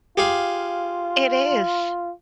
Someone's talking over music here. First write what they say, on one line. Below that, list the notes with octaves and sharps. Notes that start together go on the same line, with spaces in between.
It is.
F4 G4 G#4 F5